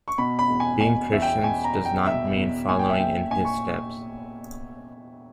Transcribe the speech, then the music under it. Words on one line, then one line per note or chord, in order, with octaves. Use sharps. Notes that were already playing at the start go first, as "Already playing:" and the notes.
Being Christians does not mean following 'in his steps.
C#6
B2 B5
B5
E2
G#5
B2 G#5
E2 E5
G5
B2 G#5
A#5
E2
G5
B2 E5
E2
A#2 G#5
G5
E5
A#2 G5
A#2 G#5
C#6